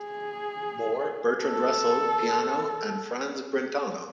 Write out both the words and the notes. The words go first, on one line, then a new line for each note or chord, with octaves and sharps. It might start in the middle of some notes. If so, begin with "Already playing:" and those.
Moore, Bertrand Russell, Peano, and Franz Brentano.
Already playing: G#4
A4